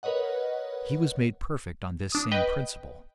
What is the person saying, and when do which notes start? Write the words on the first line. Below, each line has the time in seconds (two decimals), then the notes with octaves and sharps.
He was made perfect on this same principle.
0.03 A#4 B4 C#5 D#5 F#5
2.12 D4 D#6
2.32 B4 D#5 G5